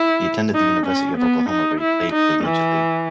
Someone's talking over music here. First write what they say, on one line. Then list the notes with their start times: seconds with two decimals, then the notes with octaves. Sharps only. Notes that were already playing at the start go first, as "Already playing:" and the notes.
He attended the University of Oklahoma, where he played collegiately.
Already playing: E4
0.54 D#4
0.86 C#4
1.17 B3
1.50 D#4
1.81 E4
2.12 D#4
2.44 E3